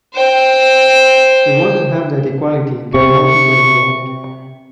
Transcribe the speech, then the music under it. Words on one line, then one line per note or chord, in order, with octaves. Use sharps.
We want to have that equality and get more people involved.
C5 G5
C3 C#6